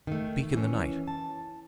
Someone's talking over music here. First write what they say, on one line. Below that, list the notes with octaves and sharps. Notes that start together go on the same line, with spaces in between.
Speak in the night.
D#3 A3
E3 C#4
A5